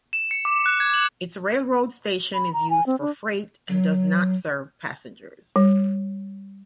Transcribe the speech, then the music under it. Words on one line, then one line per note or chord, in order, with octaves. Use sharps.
Its railroad station is used for freight and does not serve passengers.
E7
C#7
D6
F#6
G#6
F#7
B5
A#5
G#5
C4
D4
F#3
G3